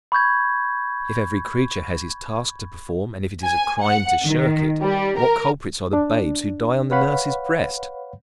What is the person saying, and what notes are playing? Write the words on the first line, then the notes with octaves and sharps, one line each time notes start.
If every creature has his task to perform and if it is a crime to shirk it, what culprits are the babes who die on the nurse's breast!
B5 C#6 G6 G#6
G#5
F#5
D#3
G3
A#4
D4
B4 C#5 F5 F#5 B5